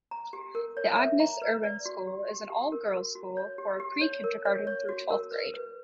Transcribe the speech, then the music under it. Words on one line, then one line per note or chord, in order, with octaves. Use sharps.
The Agnes Irwin School is an all-girls school for prekindergarten through twelfth grade.
A#5
G4
A#4
C#5
E5
A#5
B4
D5
F#4
G4
G4
G4
A#4
F#4
F#4
C#5
G4
G4
C#5
A#4
C#5
C#5
F#4
A#4
B4
B4